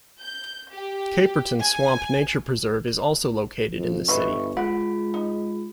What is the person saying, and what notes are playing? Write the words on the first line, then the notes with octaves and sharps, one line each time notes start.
Caperton Swamp Nature Preserve is also located in the city.
G6
G4
G#5
F2
G1 E3 B4 D#5 C#6
G#3 F4 F#5
D#4